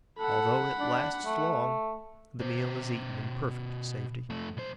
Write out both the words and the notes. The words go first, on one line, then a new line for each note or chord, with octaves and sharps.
Although it lasts long, the meal is eaten in perfect safety.
A4 F#5 B5
D4
A3
B2 C5
F2 A3
B1 C5